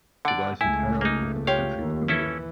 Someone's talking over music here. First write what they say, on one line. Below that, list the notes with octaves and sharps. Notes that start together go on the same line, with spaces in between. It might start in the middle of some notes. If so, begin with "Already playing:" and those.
It lies entirely within the county of Cumbria.
D3 D5 F#5
C#2 A3 E4 G#5
A#3 D#4
F4 G4 C#5 F5
D#2
E3 C#4 E4 A4